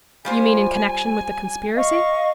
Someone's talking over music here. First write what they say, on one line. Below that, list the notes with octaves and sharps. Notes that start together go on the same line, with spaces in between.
"You mean in connection with the conspiracy?"
G3 F4 C5 G#5
D#5 F5 C#6